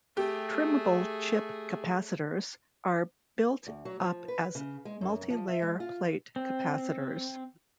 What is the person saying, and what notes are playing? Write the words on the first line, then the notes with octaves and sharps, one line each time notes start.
Trimmable chip capacitors are built up as multilayer plate capacitors.
A3 G4 G#4
D2
F#3
F3
B4
C#3
G#3
F#2
F3
E5
G#3
F4
C4